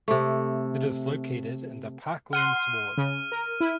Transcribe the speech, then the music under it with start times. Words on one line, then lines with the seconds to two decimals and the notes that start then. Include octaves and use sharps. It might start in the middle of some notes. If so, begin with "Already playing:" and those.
It is located in the Parklands ward.
0.08 C3 A3
2.33 F#5 C6 F6 D#7
2.97 C#3
3.32 A#4
3.60 E4